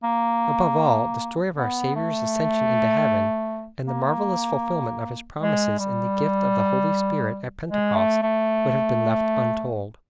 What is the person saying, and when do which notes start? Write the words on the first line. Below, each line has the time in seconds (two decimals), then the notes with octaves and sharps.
Above all, the story of our Saviour's ascension into Heaven, and the marvellous fulfilment of His promises in the gift of the Holy Spirit at Pentecost, would have been left untold.
0.03 A#3
1.57 B3
1.95 A3
3.87 A#3
5.40 G#3
5.79 G3
7.71 G#3
7.96 A3
8.22 A3